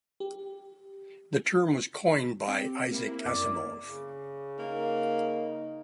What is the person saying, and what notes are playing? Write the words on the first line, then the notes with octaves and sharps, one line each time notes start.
The term was coined by Isaac Asimov.
G4
C4 G4
A#3 E4
F#2 D5
C#3
A#3 D#4